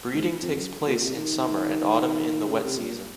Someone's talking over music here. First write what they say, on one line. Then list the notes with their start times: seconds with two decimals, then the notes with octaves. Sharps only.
Breeding takes place in summer and autumn in the wet season.
0.14 G#2
0.42 F2
0.57 F#2
0.87 A#2
1.02 C3
1.16 D#3
2.48 C#3
2.63 C3
2.77 A#2